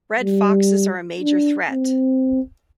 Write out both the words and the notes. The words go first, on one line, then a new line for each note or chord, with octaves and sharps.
Red foxes are a major threat.
G3
D4
C4